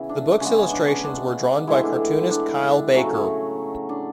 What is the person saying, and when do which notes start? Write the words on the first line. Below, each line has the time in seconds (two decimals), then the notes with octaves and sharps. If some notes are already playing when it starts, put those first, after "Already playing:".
The book's illustrations were drawn by cartoonist Kyle Baker.
Already playing: C#3 E3 B3 E4
0.09 D4
0.40 C#3 G#3 B3 C#4
0.72 D4
0.88 C#4
1.04 D4
1.67 A2 E3 G#3 E4
1.83 D4
2.30 D4
2.94 C#3 F#3 A3 C#4
3.89 D4